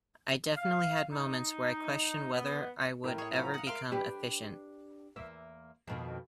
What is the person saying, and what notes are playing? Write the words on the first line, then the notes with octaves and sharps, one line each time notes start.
I definitely had moments where I questioned whether I would ever become efficient.
F5
D#4
B3
A2 A#4 G5
G#4 C#5
F3 F#3 C#4 A#5 B5
D#4 F5 F#5
A#4 E5 F5 C6 D7
D4 G4 B4
E2 A#3 E5
F2 B2 D#3